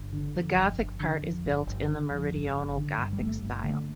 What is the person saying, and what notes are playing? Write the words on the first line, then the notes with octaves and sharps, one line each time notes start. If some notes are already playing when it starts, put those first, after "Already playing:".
The Gothic part is built in the Meridional Gothic style.
Already playing: G1
D3
F2
G1
G1
D3
F2
G1
G1
D3
F2
G1
G1
D3
G2
G3
G1 A3
G1
D3 A3